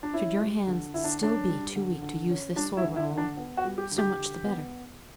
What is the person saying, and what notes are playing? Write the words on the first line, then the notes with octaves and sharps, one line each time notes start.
Should your hand still be too weak to use this sword, Raoul, so much the better.
D4
C#4 E4
G3
D3
D3 E4
D4
C#4 D4
G3
D3
D3
C#4
G3 D4
E4
D3
E4
D3
D4
B3
F#4
G3
G4
D3
G4
D3
B3